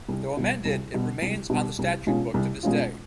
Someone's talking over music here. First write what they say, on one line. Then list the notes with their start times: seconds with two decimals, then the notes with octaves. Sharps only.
Though amended, it remains on the statute book to this day.
0.08 C2
0.37 B2 G3
0.65 C2
0.94 B2 G3
1.22 C2
1.50 B2 G3
1.79 C2
2.07 B2 G#3 C#4 F4
2.34 C2
2.63 B2 G#3 C#4 F4